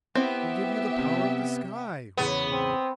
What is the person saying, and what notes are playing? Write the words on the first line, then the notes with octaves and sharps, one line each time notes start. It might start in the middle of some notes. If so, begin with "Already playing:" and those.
"We give you the power of the sky!" we cried.
B3 C4 E4 G4 E5
C3
E2 C#3 B3
C4